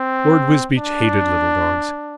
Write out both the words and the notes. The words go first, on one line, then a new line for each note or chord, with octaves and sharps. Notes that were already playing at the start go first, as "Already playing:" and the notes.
Lord Wisbeach hated little dogs.
Already playing: C4
D4